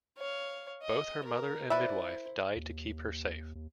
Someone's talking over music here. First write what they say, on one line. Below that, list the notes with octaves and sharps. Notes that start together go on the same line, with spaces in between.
Both her mother and midwife died to keep her safe.
C#5 F5
D#5
A#4
E4 B4 C5 D5 E5
D#2
D#2